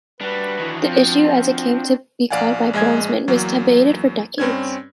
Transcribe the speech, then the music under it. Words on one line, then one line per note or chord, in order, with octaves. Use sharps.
"The issue", as it came to be called by Bonesmen, was debated for decades.
G3 D4 F#4 B4
D#3 E3
F3 C4
A#1 D5 F5 F#5 G#5
A#1 G#3 D#5 G#5 G#6
E2 F#3 A#3
G2 C4 C#4 G#6